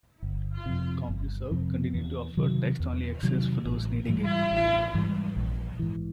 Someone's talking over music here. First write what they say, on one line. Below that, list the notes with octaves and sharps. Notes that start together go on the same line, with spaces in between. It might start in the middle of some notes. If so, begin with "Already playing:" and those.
Compuserve continued to offer text-only access for those needing it.
G1
F2 C3
G1
F2 C3
E2
C3 D#3 F#3
E2
C3 D#3 F#3
A1
G#2 E3 G3
A1
G#2 E3 G3
A#1
G#2 E3